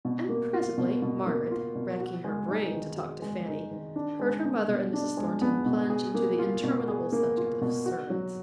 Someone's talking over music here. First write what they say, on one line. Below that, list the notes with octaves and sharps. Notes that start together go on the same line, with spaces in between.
And presently, Margaret, racking her brain to talk to Fanny, heard her mother and Mrs. Thornton plunge into the interminable subject of servants.
B2
A#3
F4
B2
B2
A#3
F4
B2
F#4
G#3
D#4
D#3
F#4
G#3
D#4
D#3
D4
G#3
B3
B2
D4
G#3
B3
B2
G#4
A#3
F4
B2
G#4
A#3
F4
B2
F#4
F#3